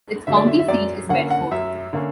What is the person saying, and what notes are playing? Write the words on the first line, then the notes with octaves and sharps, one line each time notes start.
Its county seat is Bedford.
D3 F#3 E5
D5
E5
E5
F#2 D5
D3 A#3 C#4 F#5
F#5
F#2 E5
D3 A#3 C#4